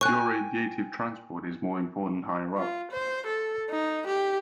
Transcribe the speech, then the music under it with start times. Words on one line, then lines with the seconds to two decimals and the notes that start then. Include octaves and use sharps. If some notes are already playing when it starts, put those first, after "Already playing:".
Pure radiative transport is more important higher up.
0.01 G5 G#5 C#6 F#6
2.58 F4
2.91 C5
3.27 A4
3.70 D#4
4.07 G4